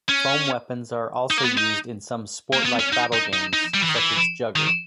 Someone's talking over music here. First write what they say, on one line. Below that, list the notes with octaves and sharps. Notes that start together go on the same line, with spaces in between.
Foam weapons are also used in some sport-like battle games such as Jugger.
C#4
D#4
A#3
B3
D#4
A#3
B3
C#4
D#4
D#4
D#4
D#4
G3
E3
D#3
E3
D#3